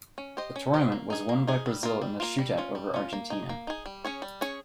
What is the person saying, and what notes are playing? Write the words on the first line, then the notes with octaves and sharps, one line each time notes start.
The tournament was won by Brazil in a shootout over Argentina.
C#4
G4 C5 D#5
C#4
G4 C5 D#5
A#3
D#4 G#4
A#3
D#4 G#4
G3
A#3 F4
G3
A#3 F4
G3
C#4 F4
G3
C#4 F4
A#3
D#4 G#4
A#3
D#4 G#4
G3
C#4 G#4 C#5
G3
C#4 G#4 C#5